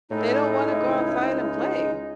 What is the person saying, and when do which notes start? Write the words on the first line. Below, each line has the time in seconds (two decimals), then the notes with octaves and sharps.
They don't wanna go outside and play.
0.10 A2 G#3 D#4 E4
0.79 C#2